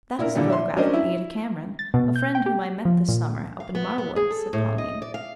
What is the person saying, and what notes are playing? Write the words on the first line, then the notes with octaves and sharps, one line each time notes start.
"That is a photograph of Ada Cameron, a friend whom I met this summer up in Marwood," said Pauline.
A#2 E4 A#4
A#2 D3 E3 G3
E5 C6
F#3 C#4 D4 A#4 C5 D#5
E4
A6
B2
G6
G5
G4
F3
A#2
F5
B3
B3
G#4
A4
A2
D#5
D5
F5